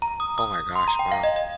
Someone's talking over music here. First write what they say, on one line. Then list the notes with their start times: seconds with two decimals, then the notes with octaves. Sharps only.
Oh my gosh, wow.
0.02 A#5
0.20 D#6
0.38 D#6
0.75 C6
0.88 A#5
0.99 G5
1.12 F5
1.23 D#5
1.36 D#5